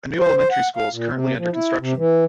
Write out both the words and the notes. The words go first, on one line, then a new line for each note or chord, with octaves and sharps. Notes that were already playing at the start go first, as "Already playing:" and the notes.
A new elementary school is currently under construction.
C5
C5
F#5
F5
A#2
C3
F3
E4
C3
E3